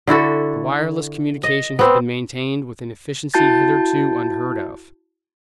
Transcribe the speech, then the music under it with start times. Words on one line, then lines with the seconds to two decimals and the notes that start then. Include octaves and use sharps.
The wireless communication has been maintained with an efficiency hitherto unheard of.
0.07 D3 E4 F#4 A4
1.44 D#5
1.79 B3 C4
3.34 E4 F#4 A5 G6 A6